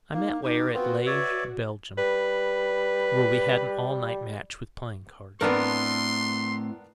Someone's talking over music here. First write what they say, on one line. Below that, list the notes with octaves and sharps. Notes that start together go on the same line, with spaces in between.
I met Weyer at Liege, Belgium, where we had an all-night match with playing cards.
A#3 D#4
D#4 G4
B3 C4 F4 F#4 B4
C#5 D5 E5
G3 B4
A2 B3 C4 D4 A#4 C6